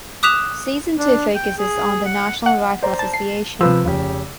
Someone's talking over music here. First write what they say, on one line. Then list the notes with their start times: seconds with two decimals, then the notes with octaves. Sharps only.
Season two focuses on the National Rifle Association.
0.23 D6 D#6 F#6 B6 E7 F7
0.98 D4
1.35 G5
1.58 G#4
2.05 F#5
2.46 F#5
2.83 C5 D5 A#5
2.99 A5
3.14 A5 C7
3.61 C3 F3 B4 E6
3.84 F1 C#3 G4